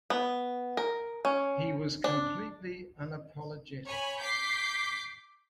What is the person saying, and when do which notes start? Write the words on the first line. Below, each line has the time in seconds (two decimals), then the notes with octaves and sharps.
He was completely unapologetic.
0.10 B3
0.77 A#4
1.25 C#4
2.04 D4
3.85 C#5 G#5 B5
4.19 D6 G6 B6 C7